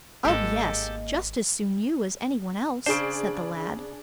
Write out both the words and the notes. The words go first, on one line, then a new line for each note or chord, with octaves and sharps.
"Oh, yes; just as soon you as any one else," said the lad.
G#1 G#3 A#3 G4 A4
C#3 D4 G#4 C5 D7